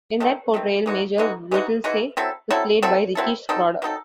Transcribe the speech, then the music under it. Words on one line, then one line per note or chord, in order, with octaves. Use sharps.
In that portrayal Major Whittlesey was played by Ricky Schroder.
D#3 A3 C4
D#3 A3 C4
E3 G#3 D#4 F#4
E3 G#3 D#4 F#4
E3 G#3 D#4 F#4
E3 G#3 D#4 F#4
F#3 C4 E4 A4
F#3 C4 E4 A4
F#3 C4 E4 A4
F#3 C4 E4 A4
F#3 C4 D#4 A4
F#3 C4 D#4 A4